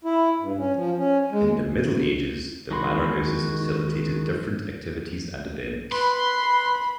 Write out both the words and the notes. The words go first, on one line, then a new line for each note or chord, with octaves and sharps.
In the Middle Ages, the Manor Houses facilitated different activities and events.
E4
G2
C#4
F3
C#4
G#3
D#2
D#3 G#3 F#4 B5 C6
B4 B5 C6